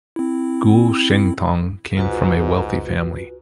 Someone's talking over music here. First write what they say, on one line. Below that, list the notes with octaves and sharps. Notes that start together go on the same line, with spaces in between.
Guo Shengtong came from a wealthy family.
C4 E4
F1 C#2 G#2 C3 F4 F#4 B4